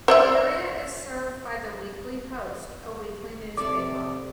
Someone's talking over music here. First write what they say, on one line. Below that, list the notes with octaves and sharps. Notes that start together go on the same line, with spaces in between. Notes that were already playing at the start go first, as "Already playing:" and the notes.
The area is served by "The Weekly Post", a weekly newspaper.
C5 D5 E5
C3 A3 A4 D5 D6